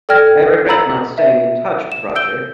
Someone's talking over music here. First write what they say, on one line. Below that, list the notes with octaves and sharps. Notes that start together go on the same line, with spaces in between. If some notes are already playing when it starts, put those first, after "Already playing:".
I regret not staying in touch with Roger.
A4 D5 G5 F6 G#6 A#6
A#5 B5 E6 F#7
E5
E7
E6 G6 D7 G7